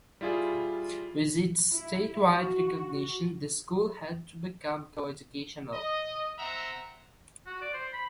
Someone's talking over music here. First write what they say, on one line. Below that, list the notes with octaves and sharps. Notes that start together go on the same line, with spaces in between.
With its statewide recognition, the school had to become co-educational.
G3 E4 F4 G#4
E4
F#4
D#5
C4 E5 F#5 A#5
F#4
D5
C5
B5